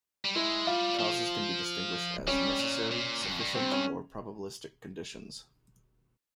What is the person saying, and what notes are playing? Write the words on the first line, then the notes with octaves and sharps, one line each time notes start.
Causes can be distinguished as necessary, sufficient or probabilistic conditions.
G3
G#3 E4
G3 F4
F3
G3 C#4
A#2
A#2
G2
F2
G2
G2 C4
C#4